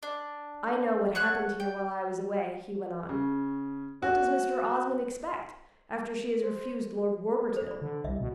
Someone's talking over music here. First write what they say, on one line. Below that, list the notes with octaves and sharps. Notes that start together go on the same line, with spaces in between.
"I know what happened here while I was away," he went on; "What does Mr. Osmond expect after she has refused Lord Warburton?"
D4
C#5 F#5 F#6
G5
C#3
F#4
C5
A4 C5
D5 B5
D3
C2 D#5 E5
B2